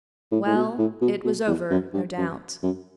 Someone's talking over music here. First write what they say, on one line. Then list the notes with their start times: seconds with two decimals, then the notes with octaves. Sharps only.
Well, it was over, no doubt.
0.32 A2
0.46 A2
0.55 B2
0.78 A2
1.01 B2
1.24 B2
1.47 E2
1.70 F#2
1.94 G2
2.18 F#2
2.63 F#2